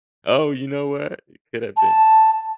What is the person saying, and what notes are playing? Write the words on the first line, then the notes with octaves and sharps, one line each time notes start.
Oh, you know what? It could have been.
A5